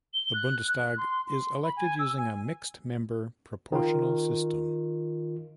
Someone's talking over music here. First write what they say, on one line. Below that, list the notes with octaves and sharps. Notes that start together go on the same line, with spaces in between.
The Bundestag is elected using a mixed member proportional system.
G7
F#6
F#6
C6
C6
B5
G#5
E6
G#5
D#3 F4